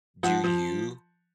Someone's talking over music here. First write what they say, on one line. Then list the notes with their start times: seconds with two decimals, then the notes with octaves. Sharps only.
do you
0.23 F3 F#5
0.44 F3